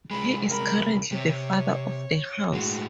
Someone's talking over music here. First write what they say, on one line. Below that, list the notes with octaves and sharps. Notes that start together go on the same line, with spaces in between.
He is currently the Father of the House.
C2 G#3 B5
A#4 B5
C3 C#5
A2 G#3 F#4